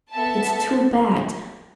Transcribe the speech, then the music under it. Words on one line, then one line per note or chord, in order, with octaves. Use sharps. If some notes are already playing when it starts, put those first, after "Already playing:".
It's too bad!
B3 A4 E5 A5